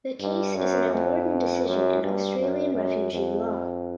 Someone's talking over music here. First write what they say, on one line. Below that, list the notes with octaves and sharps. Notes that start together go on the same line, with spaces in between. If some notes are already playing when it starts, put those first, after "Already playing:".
The case is an important decision in Australian refugee law.
G2
F#2
F2
F#2
G2
F#2
F#2
F2